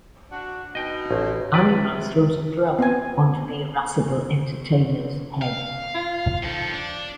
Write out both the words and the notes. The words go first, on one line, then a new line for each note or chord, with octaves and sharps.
Animal throws a drum onto the irascible entertainer's head.
D4 F#4
B2 D#4 D#5 G5
A1
C3 B4 D5
B3 C4 G5 G#5
F5
F4
D#3 F3 A4
D4